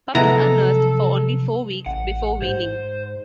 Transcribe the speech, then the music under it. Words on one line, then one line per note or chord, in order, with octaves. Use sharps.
Pups are nursed for only four weeks before weaning.
C3 F3 F#3 G#3 B3 E4 A4 A#5
A1 F#5
G#2 C5